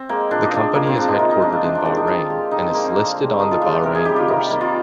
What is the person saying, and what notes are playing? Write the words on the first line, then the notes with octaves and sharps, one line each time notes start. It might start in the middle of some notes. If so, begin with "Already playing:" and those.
The company is headquartered in Bahrain and is listed on the Bahrain Bourse.
Already playing: C4
G#3 A#3
A#2 D4
D#4
G#3 D4
A#2 A#3
C4
G#3 D4
D#4
C3 F4
D#4
D#3 G#3 D4
D4
C3 C4
D4
D#3 G#3 D4
D#4
D3 F4
G#3 G4
D3 D#4
C4
G#3 A#3
C4
D3
G#3
D3 D#4
F4
G#3 F4
G4
C3 A#4
G#4
D#3 G3 G4
F4
C3 D#4
D#3 G3 A#3
F4